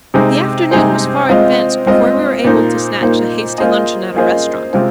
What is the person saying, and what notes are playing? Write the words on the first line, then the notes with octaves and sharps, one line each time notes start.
The afternoon was far advanced before we were able to snatch a hasty luncheon at a restaurant.
C3 G#3 D#4 G#4 C5
C3 G#3 D#4 G#4 C5
G#3 C4 F4 C5 D#5
G#3 C4 F4 C5 D#5
A#2 A#3 D#4 C5
A#2 A#3 D#4 C5
A#3 F4 G#4 C5 D#5
A#3 F4 G#4 C5 D#5
C3 G#3 C4 F4 C5